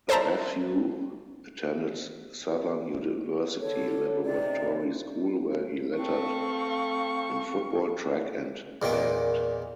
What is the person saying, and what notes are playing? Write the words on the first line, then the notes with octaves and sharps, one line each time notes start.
Raphew attended Southern University Laboratory School where he lettered in Football, Track and Band.
A4 C5 D5 E5 A5 A#5
D3 A4 C#5
C3 D#4 D5
A3 C4 F5 C#6
E2 A#2 D#3 G5